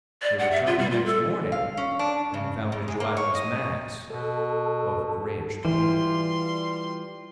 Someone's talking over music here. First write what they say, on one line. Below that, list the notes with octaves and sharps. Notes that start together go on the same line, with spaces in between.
They returned next morning and found a gelatinous mass of grayish color.
D5
F#5
E5
F4
G3
F4
A4
F5
C#4
D4
C#3
C3
G#3
A#3
C#5
D#5
B2 A4
E3 G3 F4 C6